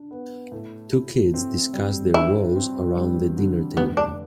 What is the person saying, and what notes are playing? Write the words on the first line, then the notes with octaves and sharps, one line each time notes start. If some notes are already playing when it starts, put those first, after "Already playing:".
Two kids discuss their woes around the dinner table.
Already playing: D4
B3
A2
E4
C4
G3
G2 E4
C4
G3
D3
F1 B3
D4